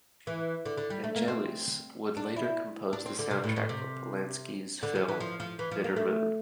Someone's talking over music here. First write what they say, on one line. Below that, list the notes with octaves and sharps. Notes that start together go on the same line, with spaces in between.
Vangelis would later compose the soundtrack for Polanski's film "Bitter Moon".
E3
D3
D3
G3
A3
A#3
C4
D4
E4
D4
C4
D3
C3
A2
A2
C3
D3
F3
E3
F3
F3
E3
F3
A#3
A3